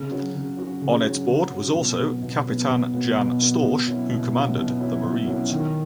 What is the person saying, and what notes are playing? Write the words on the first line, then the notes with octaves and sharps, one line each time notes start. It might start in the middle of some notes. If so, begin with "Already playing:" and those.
On its board was also Capitan Jan Storch who commanded the marines.
Already playing: C#3
F#3 C#4 F#4
C#3
F#3 C#4 F#4
C#3
F#3 C#4 F#4
C#3
F#3 C#4 F#4
B2
F#3 B3
B2
F#3 B3
B2
F#3 B3
B2
F#3 B3
B2
F#3 C#4 E4
B2
F#3 C#4 E4
B2
F#3 C#4 E4
B2
F#3 C#4 E4
D#3